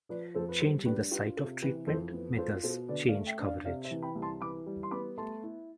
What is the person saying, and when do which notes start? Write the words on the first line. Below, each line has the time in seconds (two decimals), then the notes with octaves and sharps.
Changing the site of treatment may thus change coverage.
0.09 F3 B4 D5
0.35 F2 A4 C5
0.49 B4
0.60 G3 A4 C5
0.85 D4 G4 B4
1.11 F4 G4 B4
1.37 C3 A4
1.62 E3 G4 B4
1.87 F2 A4 C5
2.13 B3
2.33 B4
2.38 F4 A4 C5
2.64 B2 A4 C5
2.88 D3 B4 D5
3.08 D5 F5
3.15 A3
3.27 E5 G5
3.39 D4
3.46 D5 F5
3.65 C3 D5 F5
3.84 C5 E5
3.91 E3
4.02 G5 B5
4.15 C2
4.22 A5 C6
4.41 E3 B5 D6
4.66 G3
4.83 C6
4.91 B3 B5 D6
5.18 A3 A5 C6
5.43 E4